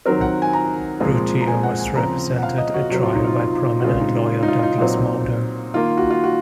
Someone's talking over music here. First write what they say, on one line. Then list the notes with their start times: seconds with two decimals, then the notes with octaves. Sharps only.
Routier was represented at trial by prominent lawyer Douglas Mulder.
0.06 D#3 F#3 C4 A#4
0.21 F#5
0.42 G#5
0.53 A#5
1.00 A#2 F3 G#3 C4
1.41 A#5
1.48 G#5
1.63 F#5
1.79 G#5
1.95 C#3 F3 C4 A#5
2.38 F#5
2.43 F5
2.58 D#5
2.74 F#4
2.89 C3 F#3 C4 F#4
3.03 F4
3.15 D#4
3.27 F4
3.80 F#4
3.84 C#3 G#3 C4 F4
4.00 D#4
4.17 F4
4.43 D#4
4.48 F4
4.63 D#4
4.78 A#2 F#3 C4
5.74 D#3 A#3 F4
5.97 F#4
6.10 F4
6.24 F#4